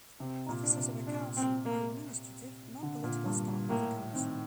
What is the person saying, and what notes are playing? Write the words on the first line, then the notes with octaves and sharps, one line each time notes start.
Officers of a council are administrative, non-political staff of the council.
C3 C4
A#2
D4
C3
D4
C4
A#3
D3
A#2
G2
G2
A2 A#3
D#3 C4